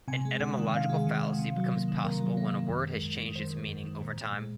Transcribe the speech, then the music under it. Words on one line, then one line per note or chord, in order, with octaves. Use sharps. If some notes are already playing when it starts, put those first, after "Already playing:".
An etymological fallacy becomes possible when a word has changed its meaning over time.
C3 G#5
G#3
C3 F#5
D#3
C3 F5
G#3
C3
D#3
C3
F#3
A#3
D#3
C3 A#4
F#3
A#3
D#3
F#2
G#3
F#2
D#3
F#2 C5
G#3
F#2
D#3
A#2
A#2
G#3